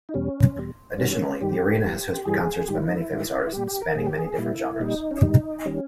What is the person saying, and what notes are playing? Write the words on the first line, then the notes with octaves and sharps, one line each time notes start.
Additionally, the arena has hosted concerts by many famous artists, spanning many different genres.
D#4
E2 B2 G3 C#4
E2 B2 G3
G2 D#3 G3 C#4
G2 D#3 G3 G4
G2 E3 G3
G2 E3 G3 G#4
G#2 D#3 G3 G4
E4
D#4
E4
G#2 D#3 G3
E4
A#2 G3 G4
G4
A#4
A#2 G3 G#4
G4
G#4
A#2 G3 E4
A#2 G3 D#4
C#4
G#2 D#3 G3 D#4
D#3 G3 C#4